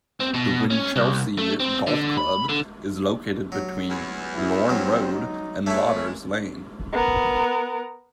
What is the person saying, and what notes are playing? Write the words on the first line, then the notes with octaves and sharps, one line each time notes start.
The Winchelsea Golf Club is located between Lorne Road and Lauders Lane.
C4
B2
C#4
C2
A3
C4
D3
B5
D3
F#3
E2
E4
F#3 C4
D#4
A#2 G#3 A3 E4 C#5
B3 A#4